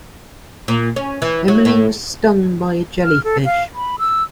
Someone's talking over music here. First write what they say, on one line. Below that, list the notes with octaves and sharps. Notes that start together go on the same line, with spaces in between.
Emily was stung by a jellyfish.
A#2
C#4
E3
F#3
A2
F6
A4
F5
B5
E6